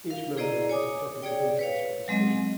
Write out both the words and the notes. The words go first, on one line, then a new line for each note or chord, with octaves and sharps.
Each member offers a topic of interest for discussion.
A#4 F5
E4 G#4 C5 D5 D#5 A#5
C#5 G#5 D6 D#6
G#4 C#5 D5 G5
B4 C#5 F5
F#3 G#3 C4 D#5 G#5